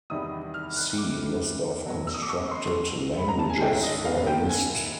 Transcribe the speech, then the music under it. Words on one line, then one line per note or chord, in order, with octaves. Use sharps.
See list of constructed languages for a list.
E2 C3 D#3 G3 B3 D#6
F6
F#6
D6
B2 F#3 A3
E6
D#6
D6
C#6
C6
B5
A#5
A5
G#5
G#2 D#3 G#3 C#4 E4 G5
D#5
F5
G5
G#5